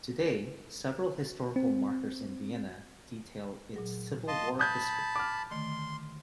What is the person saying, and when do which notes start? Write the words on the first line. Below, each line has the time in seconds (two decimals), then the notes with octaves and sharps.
Today, several historical markers in Vienna detail its Civil War history.
1.56 C4
3.74 A#2 F#3 G#4
4.28 D#5 F5 A5 C6
4.59 A5 B5 D#6 G6 G#6
5.16 D6 F6
5.51 D3 D#3 A3 C6